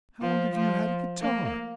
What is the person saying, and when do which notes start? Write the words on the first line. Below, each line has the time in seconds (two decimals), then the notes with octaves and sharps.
How long have you had a guitar?
0.22 F3
0.55 F3
1.21 A#3